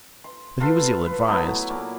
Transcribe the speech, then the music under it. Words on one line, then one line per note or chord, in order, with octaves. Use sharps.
But he was ill-advised.
C6
F4 A4 B4 C6
B4
F#3 A3 B3 E4
A#2 D6